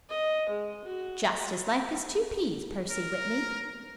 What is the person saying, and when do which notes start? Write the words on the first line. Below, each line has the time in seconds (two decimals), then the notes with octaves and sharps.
"Just as like as two peas, Percy Whitney."
0.10 D#5
0.49 G#3
0.85 F#4
2.90 A#4